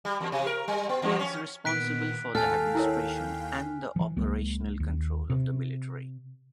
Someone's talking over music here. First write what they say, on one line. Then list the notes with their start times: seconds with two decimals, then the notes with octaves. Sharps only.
He is responsible for the administration and the operational control of the military.
0.05 G3
0.21 E2
0.32 C3
0.46 A#4
0.68 G3
0.89 B3
1.02 E2
1.20 C#4
1.65 A#2 D#3 B3 F#6 B6 D7
2.35 D#2 A4 F5 G5 G#5 F6
2.75 E4 A#4 C#5
3.96 E3 F3
4.16 C#2 F#3 G#3 A#3
4.80 D#2
5.30 C3